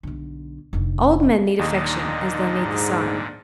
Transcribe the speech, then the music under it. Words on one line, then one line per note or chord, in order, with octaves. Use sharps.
Old men need affection as they need the sun.
B1 D3
F1 D3
D#2 A#2 D3 D#4 D#5
G#2